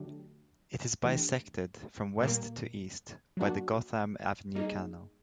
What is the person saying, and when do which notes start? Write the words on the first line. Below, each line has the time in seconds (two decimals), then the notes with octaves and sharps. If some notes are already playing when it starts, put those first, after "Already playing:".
It is bisected, from west to east, by the Gotham Avenue Canal.
Already playing: D3 F#3 A3 D4 G4
1.03 E3 A3 D4 G4
2.20 A#2 G3 A#3
3.37 F#3 A#3 D4 F#4
4.54 G3 A#3 D#4 G#4